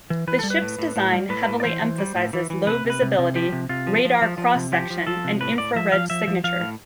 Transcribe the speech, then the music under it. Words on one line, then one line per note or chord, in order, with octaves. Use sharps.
The ship's design heavily emphasizes low visibility, radar cross-section and infrared signature.
E3
E3 B4
G3 A4
B4
A2
A2
A2
G3
A2 B4
A2
D5
E3 C5
E3
G3
A2
E3
E3
C3 B4
C3
B4
C3
C3
F3 G4
C3
C3 F4
F3
F3
F3
F3
C3
F3 G4
F3
F3 A4
C3
A2 B4
A2 D5
F3 E5
F3 F5
F3 E5
F3
F3 F5
A2